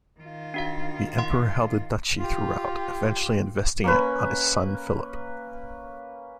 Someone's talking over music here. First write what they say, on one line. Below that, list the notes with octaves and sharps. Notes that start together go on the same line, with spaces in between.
The emperor held the duchy throughout, eventually investing it on his son Philip.
D#3 F4
D4 F#4 F5
F#5 C6
F4 G4
A#3 C#4 B4